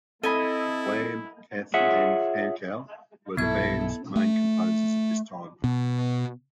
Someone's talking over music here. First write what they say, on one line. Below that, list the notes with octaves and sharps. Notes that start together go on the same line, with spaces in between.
Lamm, Kath and Pankow were the band's main composers at this time.
C4 E4 A4 D#5 G#5 B5
F4 G#4 C#5 E5 F#5
B1 G2 A#2 B3 E4 A4 G#6
A3
B2